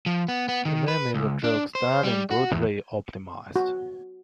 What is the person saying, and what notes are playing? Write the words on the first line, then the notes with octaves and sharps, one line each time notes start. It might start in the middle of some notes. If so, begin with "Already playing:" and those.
The name is a joke: Stalin brutally optimizes.
F3
B3
B3
D#3
B4
C#2
D4
C5
G3
F#4
E2
F#4